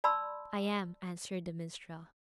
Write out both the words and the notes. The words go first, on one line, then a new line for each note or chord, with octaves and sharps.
"I am," answered the minstrel.
D5 A5 B5 C6 E6